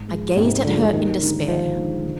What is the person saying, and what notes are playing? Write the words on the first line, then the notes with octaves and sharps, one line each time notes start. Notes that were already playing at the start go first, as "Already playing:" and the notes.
I gazed at her in despair.
Already playing: G#2
F3 G#3
G#2 C3
D3 F3 G#3
D#2 D#3
D3 G#3 D#4
D#2 F3
D3 G#3 D#4
D3